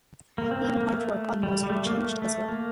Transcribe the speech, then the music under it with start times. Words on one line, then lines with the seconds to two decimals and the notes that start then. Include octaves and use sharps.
Even artwork on most were changed as well.
0.38 A#3
0.51 C4
0.65 A#3
0.77 A#3
0.91 A3
1.43 G3
1.63 G3
1.70 A3
1.87 A#3
1.96 A3
2.22 A3
2.48 A#3